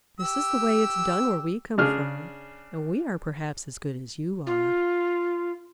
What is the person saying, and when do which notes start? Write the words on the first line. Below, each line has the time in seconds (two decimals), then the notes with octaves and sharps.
"This is the way it's done where we come from, and we are perhaps as good as you are."
0.20 G4 E6
1.78 C#3 D4 G#4 F6
4.47 F4